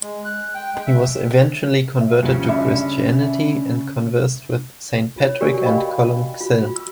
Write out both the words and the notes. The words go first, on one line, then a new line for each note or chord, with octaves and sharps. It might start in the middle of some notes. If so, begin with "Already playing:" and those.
He was eventually converted to Christianity, and conversed with Saint Patrick and Colum Cille.
G#3
F#6
G5
G#3
E5
E5
D2 G2 C#3 F3 C#4
D4 E5 B5
F4 C#5
F#4 G4 A#4 D5 G#5
D#5 F5 G5 G#5 B5
F4 F#4
E6